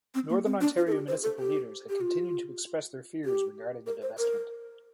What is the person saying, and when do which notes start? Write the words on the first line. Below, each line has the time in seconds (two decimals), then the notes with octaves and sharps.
Northern Ontario municipal leaders had continued to express their fears regarding the divestment.
0.15 C4
0.30 A#3
0.45 C4
0.61 D4
0.77 F4
0.87 A4
0.92 G4
1.08 C5
1.23 A4
1.39 G4
1.89 G4
2.01 F4
3.25 G4
3.86 A#4
4.02 C5
4.18 A#4